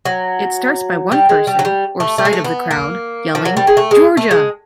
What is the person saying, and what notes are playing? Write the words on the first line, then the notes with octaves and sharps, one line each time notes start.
It starts by one person, or side of the crowd, yelling Georgia!
F#3
G3
G#3
G3
F#3
G3
A3
A3
G#3
A3
B3
A#3
F3
F#3
G3
G#3
A3
G#3
A3
G#3